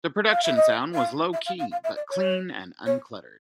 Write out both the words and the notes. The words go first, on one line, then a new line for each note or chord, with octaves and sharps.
The production sound was low-key, but clean and uncluttered.
F5
E5
D#5
F5
E5
F5
F5
F5
E5
D5
C#5
C#5